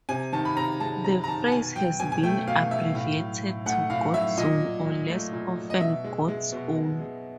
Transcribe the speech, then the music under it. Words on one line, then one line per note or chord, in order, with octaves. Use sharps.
The phrase has been abbreviated to Godzone or less often Godzown.
C3 G#5
D#3 A5
B5
C3 A#5
G#3 A5
C3 A#5
A#5
D#3 A5
A5
B2 G#5
F#3 G5
B2 G#5
G#5
A3 G5
B2 F5
F#3 E5
A2 F5
F#3
A2
A3 F#5
A2 F5
F#3 E5
A#2 D#5
F#3
A#2
A3
A#2
F#3
D#5
B2 E5
G#3
G#3
B2
B2
G#3